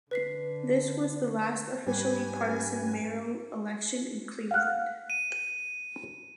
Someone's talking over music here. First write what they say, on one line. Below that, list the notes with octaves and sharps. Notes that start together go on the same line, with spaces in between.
This was the last officially partisan mayoral election in Cleveland.
D3 B4 B6 C7
G#2 G3 C#4 G4 B4 G#5
F5 F#5
D#7